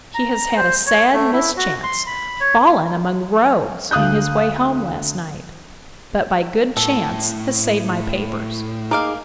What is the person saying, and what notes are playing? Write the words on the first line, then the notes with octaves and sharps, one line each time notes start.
He has had a sad mischance; fallen among rogues in his way home last night: but by good chance has saved my papers.
A#5
C5
C#5
A3
E4
F#4
C6
B5
C#5
D2 F5 D#6 F#6 G6
A2 A4
A#3 D#4 G#4 F5 D6